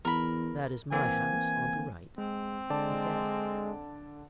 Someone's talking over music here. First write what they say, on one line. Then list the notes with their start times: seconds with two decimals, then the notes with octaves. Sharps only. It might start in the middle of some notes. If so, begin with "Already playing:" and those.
"That is my house, on the right," he said.
0.05 E2 A#4 B5
0.92 E3 A#3 C4 G#5
2.18 G#3 C4
2.70 D3 G#3 D5 A5